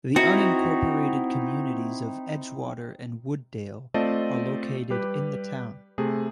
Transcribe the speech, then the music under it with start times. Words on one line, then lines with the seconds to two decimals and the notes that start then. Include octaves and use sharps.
The unincorporated communities of Edgewater and Wooddale are located in the town.
0.16 C4 D#4 E4 F#4
3.94 A3 C4 F4 D5 D#5 A5
4.90 G3 G4 B4
5.98 C3 A3 G#4